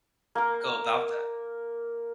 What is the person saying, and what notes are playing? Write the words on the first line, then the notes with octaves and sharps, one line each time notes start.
go about that.
A#3 A#4